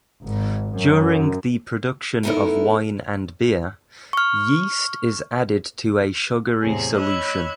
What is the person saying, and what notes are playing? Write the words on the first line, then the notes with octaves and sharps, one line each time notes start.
During the production of wine and beer, yeast is added to a sugary solution.
G#1
F#2
A3 B3 D#4 E4 A4 A#4
C#6 F6
E2 A2 C3 G#4 C#5
C#5 D#5 B5 E6 F#6 G#6